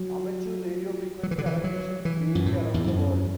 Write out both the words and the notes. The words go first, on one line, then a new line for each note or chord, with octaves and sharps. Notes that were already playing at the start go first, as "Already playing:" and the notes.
Amateur radio frequency allocations vary around the world.
Already playing: F#3
F#3
E3
D3
E3
F#3
E3
F#2
A2
E2
F#2